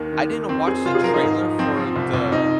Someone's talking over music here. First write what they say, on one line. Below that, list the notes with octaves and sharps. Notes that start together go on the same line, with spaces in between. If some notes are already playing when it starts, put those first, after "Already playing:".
I didn't watch the trailer for the
Already playing: D#2 D#3
D#3
D#3
F2 C4
F2 G#4
F1 F4
G#4
F3 A#4
D#4
G#2
F3
F3 C4
F3
C2
C2
C2 D#4